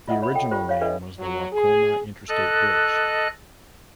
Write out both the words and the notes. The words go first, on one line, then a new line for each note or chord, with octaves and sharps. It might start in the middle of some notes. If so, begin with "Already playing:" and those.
The original name was the Waucoma Interstate Bridge.
F4 D#5 E5 F#5 D#6
C#5 B5
A4 G5
F4 G4 C5
C#5 F5
D4 A4 B4 D#5 E5
F#3
G#4
A4 D#5 F#6